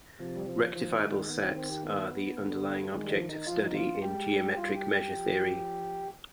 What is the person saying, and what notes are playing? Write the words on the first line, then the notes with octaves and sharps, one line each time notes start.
Rectifiable sets are the underlying object of study in geometric measure theory.
C3 F3
G3
F3
D#3 F3
B3
G#3
B3
C4
C4
G4
B3
D3
D#3 G#3
G3
F3
D#4
F3 F4
D#4
F4
G#3 G4
G4
G3 F4
G4
G4
F3